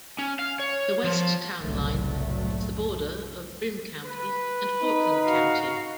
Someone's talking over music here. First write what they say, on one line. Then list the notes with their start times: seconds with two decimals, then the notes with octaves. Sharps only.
The west town line is the border of Broome County and Cortland County.
0.19 C#4
0.39 F5
0.60 C#5
1.04 F3
1.59 F#1 C2 A2 F#3 A3
4.06 B4
4.83 D#4
5.25 F#4 F5